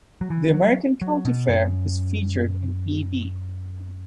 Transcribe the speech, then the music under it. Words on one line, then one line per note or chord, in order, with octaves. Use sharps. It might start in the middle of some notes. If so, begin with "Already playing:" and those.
The American county fair is featured in E. B.
F#3
E3
F#3
F#3
B2
F#2